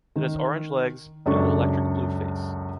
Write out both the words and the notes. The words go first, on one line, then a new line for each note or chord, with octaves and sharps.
It has orange legs, and an electric blue face.
D#3
C#2 F#2 D4 A4 D5 C#6